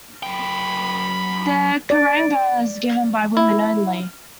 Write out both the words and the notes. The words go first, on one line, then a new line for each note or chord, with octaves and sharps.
The karanga is given by women only.
F#2 G5 B5
D5
E4